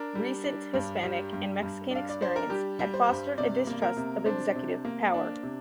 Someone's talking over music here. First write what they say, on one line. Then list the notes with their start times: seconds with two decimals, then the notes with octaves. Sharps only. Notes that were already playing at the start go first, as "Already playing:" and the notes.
Recent Hispanic and Mexican experience had fostered a distrust of executive power.
Already playing: D4 A#4
0.15 G3
0.44 D4
0.74 G2
1.03 G3
1.33 G2
1.62 G2
1.91 D4 F5
2.09 D5
2.21 D4 C5
2.36 A#4
2.50 G3 G4
2.79 G3
2.94 C5
3.08 G2
3.38 C3 D5
3.67 A#3
3.82 A#4
3.97 C3
4.26 D4 C5
4.56 C3
4.85 A#3
5.14 D4
5.43 C3